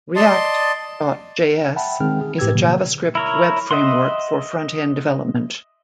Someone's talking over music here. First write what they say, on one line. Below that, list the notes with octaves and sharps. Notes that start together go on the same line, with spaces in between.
React.js is a JavaScript web framework for frontend development.
D5 D#5 A5 C6
E5 F#5 G5 A5 B5
D#3 G#3 C4 G#4 G5 F6
G#4
A2 G4 B4 E6 G#6
B2 D3 F#3 A#3
E4 A#4 C#5
D#5 E5 F#5 C6